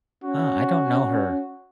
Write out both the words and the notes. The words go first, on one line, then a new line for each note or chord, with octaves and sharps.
Uh, I don't know her.
C#4 F#4